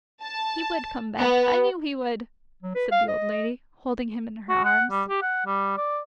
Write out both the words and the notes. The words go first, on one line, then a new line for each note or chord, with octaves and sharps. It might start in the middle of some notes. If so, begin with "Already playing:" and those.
'He would come back--I knew he would,' said the old lady, holding him in her arms.
A5
B3
F#3
B4
F5
D#5
F#4
F#5
G3
G4
F#5
G3
D5